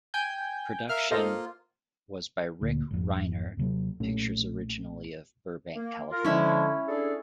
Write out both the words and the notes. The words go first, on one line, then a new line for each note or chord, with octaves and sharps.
Production was by Rick Reinert Pictures originally of Burbank, California.
G5 G#5 G6
A#4 E5 F5 F6
A#3 F4 A4 C5 D#5
D2 A#2
G#1 F2
D#2 C3 F#3
B1 A#2 A3 C#4
A#3
F4 A#4
D3 F3 G#3 C#4 E4
D4 G#4 A4